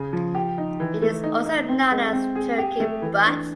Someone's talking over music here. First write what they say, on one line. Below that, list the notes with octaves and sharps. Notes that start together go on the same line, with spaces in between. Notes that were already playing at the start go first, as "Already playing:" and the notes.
It is also known as Turkey Butte.
Already playing: C#3 G#4
F3
G4
D#4
E3
A3
D#4
D#4
C4
G#3
C4
G#4
G4
A3
E3
D4